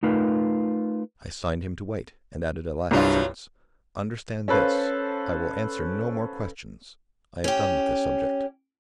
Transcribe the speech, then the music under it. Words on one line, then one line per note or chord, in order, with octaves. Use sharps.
I signed him to wait, and added a last sentence: "Understand this; I will answer no more questions--I have done with the subject."
A3 D#4 F4 A#4 B4
C2 G2 F#3 F4
C#4 A4 B4 C5 F5
C#4 G4